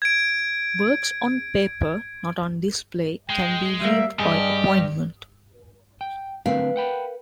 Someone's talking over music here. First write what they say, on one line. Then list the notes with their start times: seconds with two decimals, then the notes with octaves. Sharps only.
Works on paper not on display can be viewed by appointment.
0.02 G#6 D7
3.30 G#3 G5
3.82 G3 A#3 E5
4.19 G2 G4 G#4 D#5
6.01 G5
6.46 D3 A3 C4 A#4 B4 F5
6.76 F#5 G5 B5